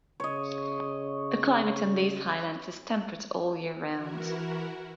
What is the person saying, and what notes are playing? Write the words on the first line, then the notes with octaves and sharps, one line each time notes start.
The climate on these highlands is temperate all year round.
C#3 C#5 D#5
E3 E4 F#4 A#4